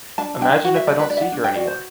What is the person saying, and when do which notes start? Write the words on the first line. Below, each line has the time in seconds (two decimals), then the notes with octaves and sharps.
Imagine if I don’t see her anymore.
0.18 D4 A5
0.41 D4 G5
0.64 F#4 F#5
0.76 E5
0.87 D4 D5
0.99 B4
1.10 D4 D5
1.17 E5
1.21 F#5
1.32 D4
1.44 G5
1.55 F#4 D5
1.67 C5